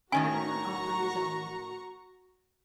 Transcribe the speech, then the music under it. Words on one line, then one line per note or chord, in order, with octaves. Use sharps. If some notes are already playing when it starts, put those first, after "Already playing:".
Everyone offered his own.
A2 D#3 C#4 F#4 G#5 A#5 C#6